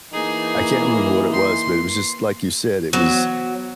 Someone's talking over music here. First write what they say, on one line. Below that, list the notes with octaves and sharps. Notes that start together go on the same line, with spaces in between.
I can't remember what it was, but it was just like you said, it was
E3 A#3 D#4 G#4
C6
E3 F#3 B3 C5